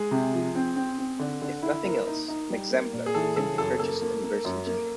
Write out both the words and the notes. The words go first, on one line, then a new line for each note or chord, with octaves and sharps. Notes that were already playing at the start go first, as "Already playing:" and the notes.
If nothing else, an exemplar can be purchased and reverse engineered.
Already playing: G#3 G#4
C3
F3
C4
C4
C4
D3
D3
E4
A#3 A#4
D#4
D#4
G3
A#3
A#2
G#4
E3 A4
C#3 A4
F#2 A4
A#3 A4
A#3
A#3
F#2
A#3